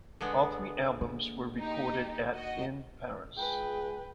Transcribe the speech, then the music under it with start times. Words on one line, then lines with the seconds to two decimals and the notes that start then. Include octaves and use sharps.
All three albums were recorded at in Paris.
0.21 D3 G#3 B3
1.01 A#3
1.59 D#4 G4
2.35 F#4 D#5
3.36 G#3 F4 G#4 B4 G5